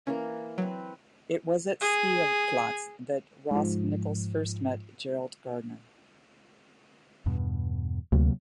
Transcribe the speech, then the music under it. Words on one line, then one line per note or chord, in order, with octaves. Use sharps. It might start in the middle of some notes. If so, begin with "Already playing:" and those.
It was at Spielplatz that Ross Nichols first met Gerald Gardner.
E3 A#3 C#4 A#4
F#3 C4 B4
G#4
G#2 F3
E2 G2 B2
D2 C3 F#3 A#3